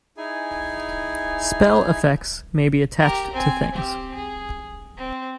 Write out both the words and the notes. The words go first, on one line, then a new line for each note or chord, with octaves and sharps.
Spell-effects may be attached to Things.
D#4 E4 G#4 G#5
G4 A#4
C4 G#5
C4 G4
G#4
C4